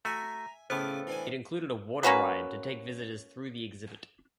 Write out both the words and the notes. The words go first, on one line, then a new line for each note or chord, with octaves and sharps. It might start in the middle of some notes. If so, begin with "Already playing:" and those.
It included a water ride to take visitors through the exhibit.
A3 F#4 E5 G#5 A#5
A2 C#3 B3 A4 C5 G#5 D6
E3 D4 G#5
A#3 C#4 F#4 B4